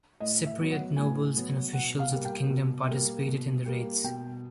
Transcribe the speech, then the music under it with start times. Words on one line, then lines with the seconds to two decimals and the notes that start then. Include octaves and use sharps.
Cypriot nobles and officials of the kingdom participated in the raids.
0.20 A2 D#5
0.46 E5
0.59 F#3 B3
0.71 F#5
0.96 A2 G#5
1.36 F#3 B3
1.73 B2 F#5
1.99 F5
2.12 G3 A#3
2.25 G5
2.50 B2
2.88 G3 A#3
3.28 B2
3.66 G3 A#3
4.04 B2 G5